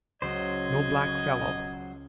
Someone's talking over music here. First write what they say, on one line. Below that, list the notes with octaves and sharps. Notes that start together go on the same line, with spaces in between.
No black fellow.
C#2 F#3 C5 D#5 G#6